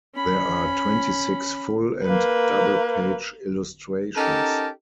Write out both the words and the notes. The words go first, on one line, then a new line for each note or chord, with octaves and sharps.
There are twenty-six full and double page illustrations.
C#4 B5
A#3 B4
C#4 D#4 G4 A4 A#4 A5